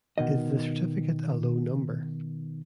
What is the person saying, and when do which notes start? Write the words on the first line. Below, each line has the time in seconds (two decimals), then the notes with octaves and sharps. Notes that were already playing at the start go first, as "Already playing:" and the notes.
Is the certificate a low number?
0.18 B2 D#3 D#5